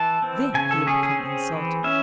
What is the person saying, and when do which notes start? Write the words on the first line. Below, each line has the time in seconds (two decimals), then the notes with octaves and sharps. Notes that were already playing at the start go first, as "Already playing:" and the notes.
Then he had become insulting.
Already playing: E3 A5
0.22 C4
0.54 C#3 G#5
0.71 A4
0.87 C#4 G#4
1.03 G#4
1.19 C4
1.52 E3
1.84 C#4 E5